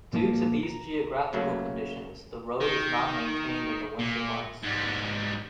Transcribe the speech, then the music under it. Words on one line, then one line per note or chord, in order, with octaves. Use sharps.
Due to these geographical conditions, the road is not maintained in the winter months.
A#2 F3 A#3 A4 A5
A#5
C#3 F#3 A3 A#3
D#3
A#2
G#2 G3